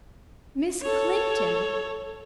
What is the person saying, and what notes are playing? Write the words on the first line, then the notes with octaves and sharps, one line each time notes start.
Miss Clinton!
A4 C#5